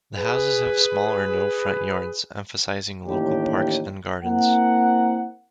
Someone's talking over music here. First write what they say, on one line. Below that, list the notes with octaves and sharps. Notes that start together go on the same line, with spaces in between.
The houses have small or no front yards, emphasizing local parks and gardens.
G#4 B4
A1 D#2 A2 D4 G4 G5
A#3 C4 E4 A#4 F#5